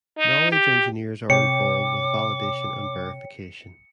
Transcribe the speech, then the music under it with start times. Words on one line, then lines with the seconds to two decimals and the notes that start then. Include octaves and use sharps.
Knowledge engineers are involved with validation and verification.
0.18 D#4
0.52 G4
1.30 C3 C#5 G5 D6 C#7